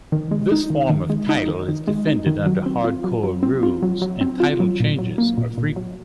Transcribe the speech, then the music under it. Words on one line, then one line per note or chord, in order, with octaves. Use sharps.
This form of title is defended under hardcore rules, and title changes are frequent.
D#3
G#3
D#4
D#3
D#3
G#3
D#4
D#3
D#3
G#3
D#4
D#3
F#3
C4
F4
F#3
F#3
C4
F4
F#3
F#3
C4
F4
F#3
A#2
F#3
A#3
A#2
A#2
F#3